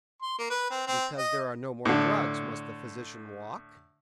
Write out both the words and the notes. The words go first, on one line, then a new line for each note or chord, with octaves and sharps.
"Because there are no more drugs, must the physician walk?"
C6
A#3
B4
C4
C4
D#5
A2 D3